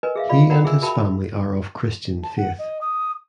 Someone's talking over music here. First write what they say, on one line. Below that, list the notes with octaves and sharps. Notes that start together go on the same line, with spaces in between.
He and his family are of Christian faith.
A#4 B4 D#5 G#5
G#4 E5 F5
F4 D5 D#5 F5 B5
A#4 D5 F#5 G5 A#5 B5
G#4 E5 G#5 E6
F#4 A#4 E5 G5 A5 B5
A5
F#5
D#5
D#6